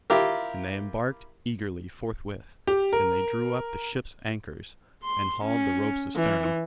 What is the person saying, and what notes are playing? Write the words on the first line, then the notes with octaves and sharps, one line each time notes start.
And they embarked eagerly forthwith; and they drew up the ship's anchors and hauled the ropes astern.
E4 F4 G4 A#4
G4
A#4
C6
C#4
E3